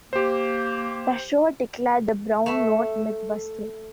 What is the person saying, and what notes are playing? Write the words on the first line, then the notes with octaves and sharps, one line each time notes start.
The show declared the brown note myth busted.
A#3 G4 C5
A3 E5